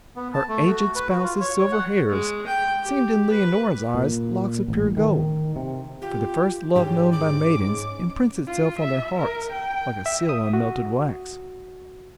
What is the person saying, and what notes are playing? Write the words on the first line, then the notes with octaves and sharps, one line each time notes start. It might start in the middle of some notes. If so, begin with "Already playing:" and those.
Her aged spouse's silver hairs seemed in Leonora's eyes locks of pure gold; for the first love known by maidens imprints itself on their hearts like a seal on melted wax.
B3
A5
A3
F#4
B4
F#4
F4
C#5
C#5
F#5
G#3
G5
G4
B4
A#2
A1
D#3
C3
F4 G4
G#2 C#4 G4
D6
F4
E5
A#4
G5
E5
D#6
F#4